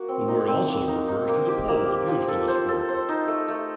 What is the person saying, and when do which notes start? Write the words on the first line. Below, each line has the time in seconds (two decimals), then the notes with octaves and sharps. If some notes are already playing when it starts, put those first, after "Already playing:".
The word also refers to the pole used in the sport.
Already playing: A#3 F#4
0.08 C4
0.28 D#4
0.48 C4
0.68 A#3
0.88 D#4
1.08 D#4
1.28 A#3
1.48 G4
1.68 A#3
1.88 G4
2.08 F3
2.28 A4
2.48 C5
2.68 A4
2.89 C5
3.09 D#4
3.28 A3
3.48 A3